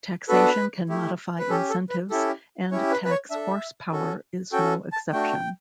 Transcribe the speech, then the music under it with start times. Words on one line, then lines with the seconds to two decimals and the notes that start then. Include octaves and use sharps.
Taxation can modify incentives and tax horsepower is no exception.
0.28 B3 D4 F#4 A4 B4
0.89 A3 E4 G4
1.39 B4
1.50 C#4 G4 A4
1.69 A4
1.90 B4
2.10 C#4 E4 G4 A4
2.71 C#4 E4 G4 C#5
2.91 B4
3.05 B4
3.11 C#5
3.31 D4 A4 E5
3.92 C#4 F#4 A4
4.52 C#4 F#4 A4 G5
4.92 A5
5.12 A3 D4 F#4 G5